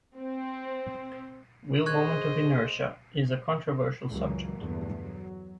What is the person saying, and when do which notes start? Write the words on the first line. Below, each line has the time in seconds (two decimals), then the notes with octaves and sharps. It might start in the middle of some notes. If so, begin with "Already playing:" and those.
Wheel moment of inertia is a controversial subject.
0.17 C4
1.86 G#4 C5 D#5 C#6 F#6 G#6
4.08 C#2 F#2 E3 F#3 G3 A#3
4.58 E2 G2 D3 A3 B3
5.05 F#3